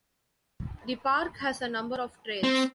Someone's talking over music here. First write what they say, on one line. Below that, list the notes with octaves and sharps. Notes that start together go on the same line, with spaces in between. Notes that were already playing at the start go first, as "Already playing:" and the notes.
The park has a number of trails.
C4